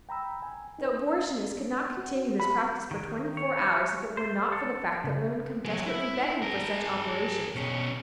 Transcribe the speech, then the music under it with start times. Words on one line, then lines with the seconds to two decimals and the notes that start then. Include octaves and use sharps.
The abortionist could not continue his practice for twenty-four hours if it were not for the fact that women come desperately begging for such operations.
0.09 G5 A#5 B5 E6
0.42 G#5
0.79 D#4 B4
1.97 F#4
2.40 B5
2.91 D#3
3.37 C#5
4.17 C5
4.52 A4
5.04 C#3
5.65 F#3 G#3
5.86 E4
6.42 G#4 A#4
7.55 B2 C#4